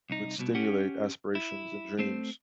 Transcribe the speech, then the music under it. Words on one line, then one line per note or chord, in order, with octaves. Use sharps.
would stimulate aspirations and dreams
C2 D#4
C2 B2
C#4 G4 F#5
E4
A3 C4 C5